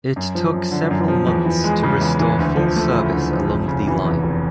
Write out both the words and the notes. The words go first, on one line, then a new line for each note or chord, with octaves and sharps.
It took several months to restore full service along the line.
F#2
F3
F#2
D3
F#2
F3
E2
E3
G#3
C#3
E2
E3
D2
F3
A3
C#3
D2
F3
F1
C#3
E3
E2
F1